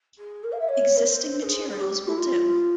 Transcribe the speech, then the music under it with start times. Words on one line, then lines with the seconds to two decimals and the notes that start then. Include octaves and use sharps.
Existing materials will do.
0.18 G#4
0.44 A#4
0.52 F5
0.60 E5
0.68 C#5
0.97 A#4
1.05 C5
1.43 G#4
1.69 G#4
1.80 G4
2.07 E4
2.18 F4